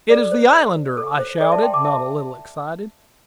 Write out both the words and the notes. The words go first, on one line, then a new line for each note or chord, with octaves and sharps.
"It is the Islander!" I shouted, not a little excited.
A4 D5
C5
A4
C5
A4 D5
E5 A5
G5 C6
A5 D6
E5 A5